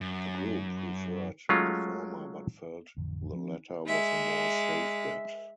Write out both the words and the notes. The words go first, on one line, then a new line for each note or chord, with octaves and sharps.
The group preferred the former but felt the latter was a more safe bet.
F#2
F#3 G#3 A3 C#4 F4
A1 F2 D3
F3 C4
G#3 E5